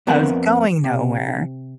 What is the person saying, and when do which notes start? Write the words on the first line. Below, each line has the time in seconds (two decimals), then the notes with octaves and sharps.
I was going nowhere,
0.07 F2 B3 C4 A#4 F#5 B5
0.84 C3